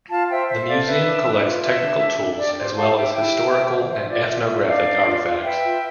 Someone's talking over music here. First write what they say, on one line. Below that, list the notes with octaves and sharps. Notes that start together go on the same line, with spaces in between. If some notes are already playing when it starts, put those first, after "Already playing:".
The museum collects technical tools, as well as historical and ethnographic artifacts.
F4 F5 A5
C5 E5 G5
C5 E5
A4 D5 F5
B4 E5
D4
B4
F4
B4 E5
D4
D4
D4
G4 D5
C5
G4 F5 A5
A5
G4 E5 G5
E4 E5 G5
G4
C5
C5
C5 E5
F4 D5
F4 E5
F4 E5
D4 D5 F5
D4
F4
F4
B4 E5 G5
F4